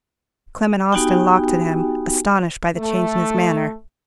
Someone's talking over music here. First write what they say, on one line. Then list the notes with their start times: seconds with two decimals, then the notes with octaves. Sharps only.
Clement Austin locked at him, astonished by the change in his manner.
0.92 B3 D#4 F#4 G4 G5 G#5
2.77 A3